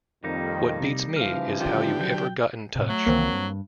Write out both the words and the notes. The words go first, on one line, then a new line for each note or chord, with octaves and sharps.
What beats me is how you ever got in touch.
F2 D#3 G3 A#3 D#4
C3
C#3 E3 F3 F5 F6
D3 F4 G4
F#3 G5
A2 C3
F#3 A3
C2 D#3 E3 A#3 C4
G2